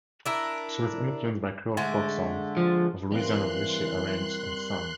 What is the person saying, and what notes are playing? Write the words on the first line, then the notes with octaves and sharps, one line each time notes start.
She was influenced by Creole folksongs of Louisiana which she arranged and sang.
D4 E4 A#4
D3 G#3 A3
F3
E3 G3 C4 A#4 F5 C6 F#6